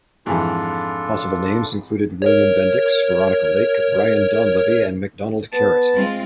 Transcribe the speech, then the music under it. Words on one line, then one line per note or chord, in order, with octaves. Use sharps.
Possible names included William Bendix, Veronica Lake, Brian Donlevy, and MacDonald Caret.
F2 G#2 E3 D4 F4 A4
A#4 C#5
B3 A5
G#3 C4 F4